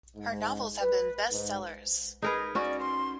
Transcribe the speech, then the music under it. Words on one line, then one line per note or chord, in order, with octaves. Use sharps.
Her novels have been best-sellers.
G#2
B4
G#2
D#4 G#4 A#4 B4
C#4 F#4 D5
C6